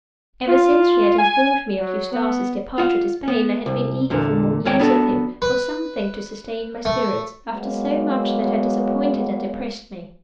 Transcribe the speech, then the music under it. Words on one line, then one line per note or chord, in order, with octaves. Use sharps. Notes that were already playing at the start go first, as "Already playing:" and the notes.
Ever since she had informed me of Eustace's departure to Spain I had been eager for more news of him, for something to sustain my spirits, after so much that had disappointed and depressed me.
F4
G#5
F#3
B3
F4 F#5
B3
C2
E2 A#2 D3
D#2 G#3 C#5 G5
B3 D4 F#4 A4
B4
A3
F#3 G#3 A#3 B3